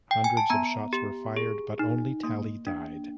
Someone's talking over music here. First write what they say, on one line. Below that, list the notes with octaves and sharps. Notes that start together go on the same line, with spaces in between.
Hundreds of shots were fired, but only Talley died.
G5
G#5
A5
B3 A#5
G4
G#4
D#4
A#3
D4